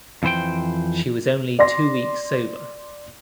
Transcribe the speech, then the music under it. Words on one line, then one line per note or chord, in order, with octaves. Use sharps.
She was only two weeks sober.
F2 E3 C5 G5
D5 C6 A#6